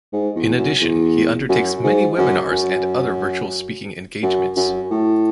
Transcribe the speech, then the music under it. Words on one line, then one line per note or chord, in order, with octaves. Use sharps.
In addition he undertakes many webinars and other virtual speaking engagements.
G#2
E2
F#2
E2
F#2
G#2
F#2
F#2
F#2
F#2
A2